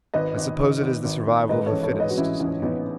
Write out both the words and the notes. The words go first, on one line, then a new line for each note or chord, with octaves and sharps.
"I suppose it is the survival of the fittest," said he.
G#1 B4 D#5
G#1
G#1
G#1
G#1
G#1
G#2 B4 D#5
A4 C#5
A1
A4 C#5
G#2
B4 D#5
F#4
A1 C#4 E4
A1 C#4
A1 B3 D#4